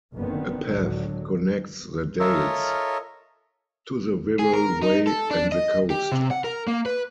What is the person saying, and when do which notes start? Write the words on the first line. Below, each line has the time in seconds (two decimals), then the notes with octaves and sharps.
A path connects the Dales to the Wirral Way and the coast.
0.16 F#1 D3 D#3 B3 C4
0.65 C#2 F#2 A2 D3 F#3
2.20 F4 A4 A#4 C#5 D#5 E5
4.39 G#4
4.54 A#4
4.82 D#4
5.07 A4
5.31 D4
5.52 D#5
5.90 G4
6.12 C3
6.31 F#5
6.44 A#4
6.67 A#3
6.86 B4